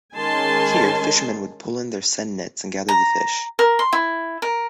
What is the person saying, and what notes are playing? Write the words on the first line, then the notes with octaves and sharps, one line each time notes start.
Here, fishermen would pull in their seine nets and gather the fish.
D#3 G#3 C#4 G#5 A5 C6
A#5
A#4
C6
E4
A#4